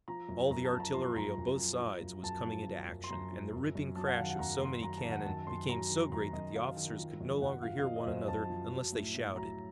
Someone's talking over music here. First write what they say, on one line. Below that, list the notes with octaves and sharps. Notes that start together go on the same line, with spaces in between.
All the artillery on both sides was coming into action, and the ripping crash of so many cannon became so great that the officers could no longer hear one another unless they shouted.
F3 A#5
F#2
F#2 A#5
A5
F3
A#5
F3 C6
F#2 A#5
F#2
F3
F3
F#2
F#2 A5
F3
F3
F#2
C6
F#2 A#5
F3
F#2
F#2
F#3 A5
F#5
D#3 F5
F#5
F#2 A#5
F#2 C6
F#3 A#5
A5
D#3
F#5
F#2 A5
F#2 C6
F#3 A#5
D#3
F#2 A#5
F#2 D#5
F#3 F5
D#3
F3
F#2
F#2 F#5
F3 F5
F5
F3 D#5
D#5
F#2 C5
C5
F#2 A5
F3
F#3
A2
A2
F#3 A#5